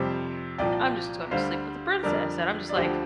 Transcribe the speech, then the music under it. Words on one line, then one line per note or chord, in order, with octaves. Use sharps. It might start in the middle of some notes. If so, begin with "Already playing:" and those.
"I'm just gonna sleep with the princess," and I'm just like,
Already playing: F2 C3 G3 G4 C5
C2 A#2 F3 D5 G5
D2 D3 G3 C5 F5
F2 D3 G3 A#4 D5
D5
D2 D3 F3 G4 C5